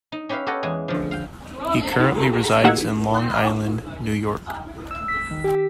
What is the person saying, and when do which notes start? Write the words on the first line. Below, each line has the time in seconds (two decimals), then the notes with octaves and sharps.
He currently resides in Long Island, New York.
0.12 D#4
0.29 C#4 G4 B4 E5 F5
0.47 G4 A4 C#5 D#5 F#5 G5
0.63 E2 G#3 G#4
0.88 D3 F3
1.11 F5 G5
2.64 D#3 A#3 F#5 E6 G#6
4.91 E6
5.08 B6
5.31 D#3
5.44 G4